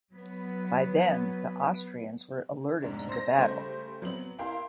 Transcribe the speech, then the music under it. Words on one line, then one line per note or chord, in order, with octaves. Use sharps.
By then the Austrians were alerted to the battle.
F#3 B3 B4
F1 G#2 D4
C5 A#6
C#3 G3 A3 G4 C5
F#3 B3 C4 F#7
E4 G4 A#4 F5 G5 C6